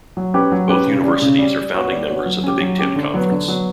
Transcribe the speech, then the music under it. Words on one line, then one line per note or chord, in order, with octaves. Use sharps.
Both universities are founding members of the Big Ten Conference.
F#3
C#4 G4 B4
F#3
C#4 G4 B4
C#3
G3 C#4
C#3
G3 C#4
G3
B3 F#4 C#5
G3
B3 F#4 C#5
F#3
C#4 G4
F#3
C#4 G4
D3
F#3 B3
D3
F#3 B3